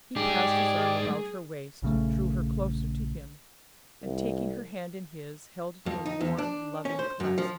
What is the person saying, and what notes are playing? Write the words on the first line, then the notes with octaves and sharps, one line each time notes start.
He passed his arm about her waist, drew her closer to him, and taking her hand in his, held it in a warm, loving clasp.
G#3 D#4 G4 G#4 D5
A#1 C#3 A3
C2
F2
D#4
E2
D4
C#4
C5
F#2
F3